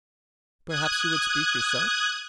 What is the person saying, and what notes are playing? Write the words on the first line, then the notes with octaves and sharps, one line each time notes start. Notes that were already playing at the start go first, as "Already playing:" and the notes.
'Perhaps you would speak yourself?'
D#6 F#6 G#6